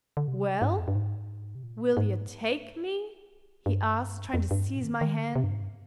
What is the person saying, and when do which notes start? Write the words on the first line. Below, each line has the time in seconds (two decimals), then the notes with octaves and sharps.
'Well, will you take me?' he asked, trying to seize my hand.
0.17 D3
0.28 C3
0.62 G#2
0.70 G2
0.79 F2
0.88 G2
0.95 G#2
1.55 C3
1.63 A#2
1.97 G#2
3.66 G2
4.34 F2
4.51 G2
4.68 G#2
4.77 A#2
4.84 D#3
4.94 D3
5.01 D#3
5.18 D3
5.36 C3
5.44 G2
5.52 G#2
5.61 G2